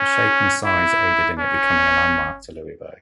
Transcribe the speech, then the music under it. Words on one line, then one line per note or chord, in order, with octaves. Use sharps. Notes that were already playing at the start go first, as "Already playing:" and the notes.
The shape and size aided in it becoming a landmark to Louisburg.
Already playing: C#4
E4
C#4